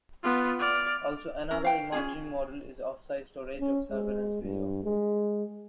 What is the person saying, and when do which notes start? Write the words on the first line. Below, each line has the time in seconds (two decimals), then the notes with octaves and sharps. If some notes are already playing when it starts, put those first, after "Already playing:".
Also another emerging model is off-site storage of surveillance video.
0.23 B3 F4
0.59 D5 F6
1.51 C#4 A#4
1.65 F5 G5
1.92 C#4 D4 F4 G#4
3.61 C#4
3.91 G#3
4.42 G2
4.84 G#3